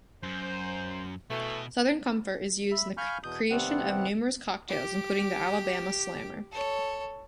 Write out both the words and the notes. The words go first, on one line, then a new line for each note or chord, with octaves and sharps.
Southern Comfort is used in the creation of numerous cocktails, including the Alabama Slammer.
F#2 C5
B2 E3 A3
E5 B5
F5 G#5 B5 C#6 F6 G6
E2 B2 D#6 G6
D#2 C3 G3 B3 C4 F#5
G4 D6
A4 C#5